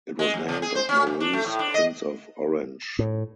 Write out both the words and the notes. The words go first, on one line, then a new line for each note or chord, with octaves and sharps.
It was named for Maurice, Prince of Orange.
G#3
F2
C#3
G#4
C5
C#4
G2
D4
A3
A2
D4
D#5
A2